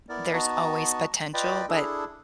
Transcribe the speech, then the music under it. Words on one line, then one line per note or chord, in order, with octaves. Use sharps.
there's always potential, but,
B3 E4 A#4 D5
B3 D#4 F#4 D#5 A5
F4 B4 D5 D#5 G5 B5
D4 E4 G#4 A4